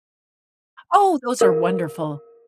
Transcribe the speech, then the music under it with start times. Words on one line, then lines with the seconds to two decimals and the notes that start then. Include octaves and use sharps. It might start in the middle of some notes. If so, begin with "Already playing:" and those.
Oh, those are wonderful.
1.41 A#4